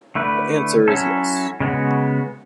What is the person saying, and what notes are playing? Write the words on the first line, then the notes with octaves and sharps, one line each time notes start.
The answer is yes.
D3 A3 E4 B4
F#3 C#4 E4 A4
C#3 G#3 B3 F#4